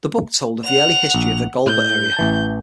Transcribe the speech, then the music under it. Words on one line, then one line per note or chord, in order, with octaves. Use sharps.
The book told of the early history of the Golva area.
F#5 F7
A#1
A2 G6
A1 E3 A5